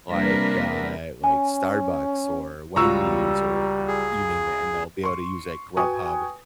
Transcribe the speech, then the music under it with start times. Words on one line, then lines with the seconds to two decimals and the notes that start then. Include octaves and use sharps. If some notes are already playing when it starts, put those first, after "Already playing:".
like, uh, like Starbucks or Wendy's or you name it, and they'll be able to use like Grubhub.
0.10 C3 G3 A#3 D4 A#4 B4
1.24 C#4 G#5
2.76 C#2 G3 F4 F#4 A#5 C#6 E6
3.88 G#4
5.04 C6 C#6
5.77 F#4 B4 G5 G#5 C#6 D#6